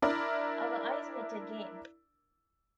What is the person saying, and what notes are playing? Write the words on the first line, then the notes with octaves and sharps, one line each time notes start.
Our eyes met again.
D4 E4 A#4 D5